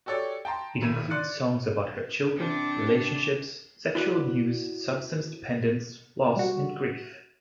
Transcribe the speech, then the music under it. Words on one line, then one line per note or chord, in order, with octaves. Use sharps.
It includes songs about her children, relationships, sexual abuse, substance dependence, loss and grief.
F#4 G4 A4 C#5 D5
G5 A5 A#5 C6
G#1 A2 G#6 D#7
D5 C6 F#6 A6 C#7
C3 D4
E4 F#4 B4 D5
G3 F#4